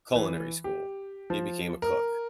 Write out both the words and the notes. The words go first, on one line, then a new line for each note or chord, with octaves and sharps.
culinary school. He became a cook.
E3
G4
F3
A#4